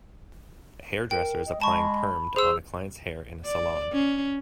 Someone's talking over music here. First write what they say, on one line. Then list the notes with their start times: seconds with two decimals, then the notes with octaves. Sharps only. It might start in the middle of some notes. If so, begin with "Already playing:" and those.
A hair dresser is applying permed on a client 's hair in a salon.
1.11 A#4 G5
1.46 D#5
1.61 G#3 A5 B5 C#6
2.36 G#4 C5 E6
3.45 D5
3.92 C#4